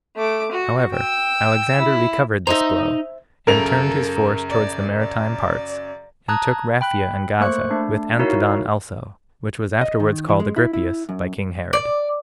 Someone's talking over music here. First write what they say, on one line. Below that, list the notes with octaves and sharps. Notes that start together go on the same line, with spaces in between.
However, Alexander recovered this blow, and turned his force towards the maritime parts, and took Raphia and Gaza, with Anthedon also, which was afterwards called Agrippias by king Herod.
A3 D6
F#4
G5 E6
E4
D#4 C5 D#5 E5 A#5
F#2 C#3 A4 A#4 F7
D5
D5
A5 A#5 D#6 F#6 G#6
G5 B5 F#6
A3 A#3 C5 C#6 F#6
A3 D4
D#4 E4 F#4 A#4 C#5 F5
D#5
D#3
E3
G#3
E4
E4
F#2
D5